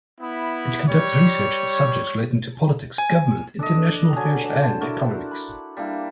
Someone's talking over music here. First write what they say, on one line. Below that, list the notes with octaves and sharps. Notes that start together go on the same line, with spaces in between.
It conducts research in subjects relating to politics, government, international affairs, and economics.
B3 E4
G3 C#5
G#5
D4 A4 D5 D#5
D3 F#3 G#5 A5
C5 A5
D4 E4 F#4 A#4
B5
G3 A#3 D4 E4